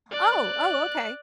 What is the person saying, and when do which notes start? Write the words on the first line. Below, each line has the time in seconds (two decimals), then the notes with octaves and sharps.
Oh! Oh, okay.
0.11 D5 F#6